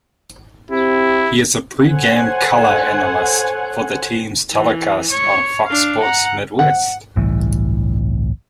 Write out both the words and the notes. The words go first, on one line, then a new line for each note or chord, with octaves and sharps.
He is a pregame color analyst for the team's telecasts on Fox Sports Midwest.
C4 E4 G4
A4 C5 C#5 F#5 G#5
E3
C#5
D4 F5
F#5 A#5
F#5
G1 C2 A2 E3